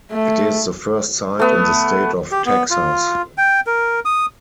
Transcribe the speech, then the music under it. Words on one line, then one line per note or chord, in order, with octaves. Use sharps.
It is the first site in the state of Texas.
A3
A3 B3
G4
B3
F4
G5
A#4
D#6